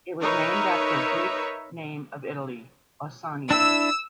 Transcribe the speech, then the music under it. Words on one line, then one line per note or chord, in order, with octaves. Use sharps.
It was named after a Greek name of Italy, Ausonia.
D#4 A#4 B4 C#5 E5
D4 E4 E6